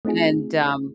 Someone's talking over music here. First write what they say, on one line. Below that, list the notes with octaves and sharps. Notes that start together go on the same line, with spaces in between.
and um
A3 C4 D#4 F4 G#4